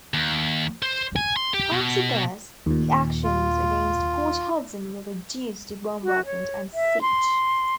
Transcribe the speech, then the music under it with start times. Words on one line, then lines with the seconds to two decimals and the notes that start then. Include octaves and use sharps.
After this, the actions against Port Hudson were reduced to bombardment and siege.
0.14 D#2
0.82 C5
1.16 G#5
1.36 C6
1.54 G4
1.72 B2
2.66 D#2 A#2
3.24 F4
6.03 F#4
6.26 C#5
6.74 E5
7.01 C6